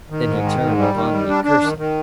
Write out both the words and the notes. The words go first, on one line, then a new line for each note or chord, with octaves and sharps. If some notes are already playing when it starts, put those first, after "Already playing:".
Then he turned upon me cursing.
D#3
G#2
D#3
G#2
G3
D#3
G3
D4
D4
D#3
D#3